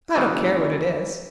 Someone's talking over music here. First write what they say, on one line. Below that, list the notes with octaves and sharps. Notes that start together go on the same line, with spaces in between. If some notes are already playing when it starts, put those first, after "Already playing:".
I don't care what it is.
F#1 D#3 E3